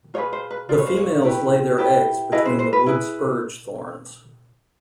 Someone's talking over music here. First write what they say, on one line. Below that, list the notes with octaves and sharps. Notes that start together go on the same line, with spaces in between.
The females lay their eggs between the wood spurge thorns.
F4 G#4 B4 C#5
C5
B4
F4 G#4 B4 D5
C#5
C5
C#5
E4 G4 B4
E4 G4 B4
E4 G#4 B4 D#5
C5
C5
B4
E4 G#4 B4